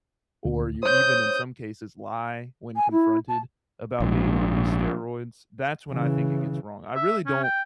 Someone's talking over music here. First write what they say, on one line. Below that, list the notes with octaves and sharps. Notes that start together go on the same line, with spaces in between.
or you even, in some cases, lie when confronted about being on these steroids, that's when I think it gets wrong, I really don't
D2
C5 C#5 D#6 G6
G#5
E4
A5
A#1 G#2
C#3 E3
E5
C#4
G5